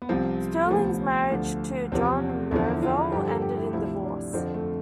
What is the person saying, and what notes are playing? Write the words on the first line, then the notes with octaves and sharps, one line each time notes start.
Sterling's marriage to John Merivale ended in divorce.
B3
C2 C3 F3 C4
A3
D2 C3 F3 B3
D2 D3 F3
E2 C3 F3 C4
E2 D3 F3 E4
E4
F4
G2 D3 F3 G4
A4
G4
E4
D2 C3 F3 E4
D4
F2 D3 F3 C4
A3